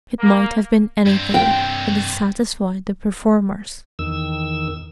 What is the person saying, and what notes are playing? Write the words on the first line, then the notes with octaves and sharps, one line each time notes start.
It might have been anything, but it satisfied the performers.
A#3
G2 C4
G5
E2 D#3 E6